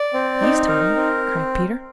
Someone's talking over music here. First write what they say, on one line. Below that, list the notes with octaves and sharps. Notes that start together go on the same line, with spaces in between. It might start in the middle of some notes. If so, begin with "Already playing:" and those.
"Please, Tommy," cried Peter.
Already playing: D5
C4
D#4
A#4
C4